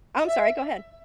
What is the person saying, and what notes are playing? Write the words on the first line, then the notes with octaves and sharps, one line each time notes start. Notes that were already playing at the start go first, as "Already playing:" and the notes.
Oh, I'm sorry, go ahead.
D5
E5